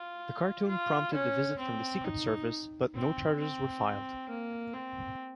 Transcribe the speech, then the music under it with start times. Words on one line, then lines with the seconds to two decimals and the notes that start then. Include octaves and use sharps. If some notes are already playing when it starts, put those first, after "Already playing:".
The cartoon prompted a visit from the Secret Service, but no charges were filed.
Already playing: F4
0.68 F4
1.13 C#4
1.58 C4
2.04 D#4
2.94 C4
3.39 C4
4.29 A#3
4.73 C4